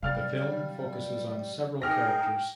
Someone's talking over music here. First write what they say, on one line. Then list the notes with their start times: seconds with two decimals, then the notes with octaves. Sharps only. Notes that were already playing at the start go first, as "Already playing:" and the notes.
The film focuses on several characters.
0.03 C3 F#3 G3 F5 F6 A6
1.82 D#4 G#4 A#4 G5 D6 F6 A#6